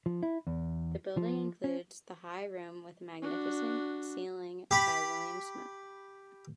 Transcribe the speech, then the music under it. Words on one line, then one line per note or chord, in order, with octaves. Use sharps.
The building includes The High Room with a magnificent ceiling by William Smith.
F3
E4
E2
F3
C#4
D4 F#4
G4 B5